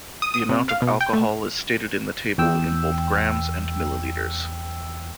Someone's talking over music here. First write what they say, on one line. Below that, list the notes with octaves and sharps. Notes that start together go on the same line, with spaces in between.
The amount of alcohol is stated in the table in both grams and millilitres.
D#6
D#6
C3
F5
B2
G5
A3
E2 G5 E6